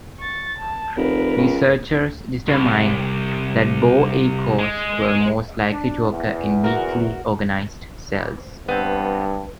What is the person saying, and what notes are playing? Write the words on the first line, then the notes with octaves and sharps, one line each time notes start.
Researchers determined that bow echoes were most likely to occur in weakly organized cells.
C#6 A6
A5
F1 A#4 B4
C#2
C2
G#3
D4
E2
F#4 A#4
G2 B3 C4